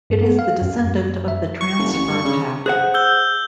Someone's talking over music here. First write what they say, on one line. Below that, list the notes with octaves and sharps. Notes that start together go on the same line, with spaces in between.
It is the descendant of the Transfer Pak.
G2
B3
F5
F#2
F#2
E5
C#6
F#1
A1
G2
C#3
G#4 C5 F#5 F#6
E6 G6 G7